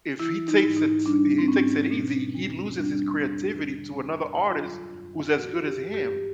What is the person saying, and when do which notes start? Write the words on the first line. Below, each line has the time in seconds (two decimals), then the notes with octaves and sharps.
if he takes it s he takes it easy, he loses his creativity to another artist who's as good as him.
0.19 E3 E4
0.48 D#4
0.62 G#2
0.76 D#4
1.05 G3 D4
1.39 C4
1.48 G#2 C#4
1.91 B2
2.35 E2
2.77 G3 D4
3.20 E2
3.63 D3
4.07 F#2
4.50 F#3 F4
4.93 F#2
5.36 E3 F#4
5.65 G4
5.79 G2
5.94 G4